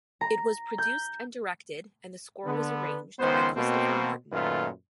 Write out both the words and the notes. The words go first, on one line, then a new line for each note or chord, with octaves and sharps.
It was produced and directed, and the score was arranged, by Christopher Martin.
A#5
G6
D3 B3
C#2 D#3 B3 C5
B2 A#3 C4
F#2 A#2 D#3 A3 F4 B4